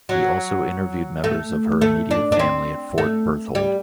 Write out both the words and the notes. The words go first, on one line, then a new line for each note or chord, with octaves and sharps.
He also interviewed members of her immediate family at Fort Berthold.
F#3
A3
A3
D4
D4
C4
A3
G3